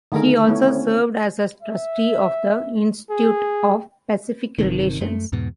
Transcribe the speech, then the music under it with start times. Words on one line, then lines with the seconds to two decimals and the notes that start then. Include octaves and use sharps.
He also served as a trustee of the Institute of Pacific Relations.
0.12 D3 D#3 A3 G#4 A#4
0.47 A3 B3 E4 C#5
0.65 C4 C#4
1.63 E5
3.10 G#4
4.58 G1 C3 D#3
5.01 F#2 A3
5.32 E2 G#2 B2